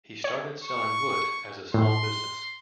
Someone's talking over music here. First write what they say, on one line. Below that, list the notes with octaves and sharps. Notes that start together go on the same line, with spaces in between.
He started selling wood as a small business.
C#5
C#6
A2 C6